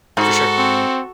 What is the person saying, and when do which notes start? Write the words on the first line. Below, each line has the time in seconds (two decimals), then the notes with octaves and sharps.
For sure.
0.17 G#2 F#4 A4
0.58 C4